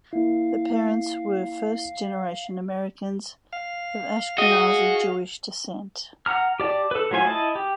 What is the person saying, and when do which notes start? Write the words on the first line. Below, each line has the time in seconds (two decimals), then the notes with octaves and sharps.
Her parents were first generation Americans of Ashkenazi Jewish descent.
0.13 A#3 E4 F5
3.53 F5
4.38 F#4 G#4 D#5
6.26 F#5 A#5 F6
6.60 G4 D5 A5
6.91 A4 B4
7.11 F#3 A3 F4 C5 G#5
7.25 E4 D#5 A5
7.55 G4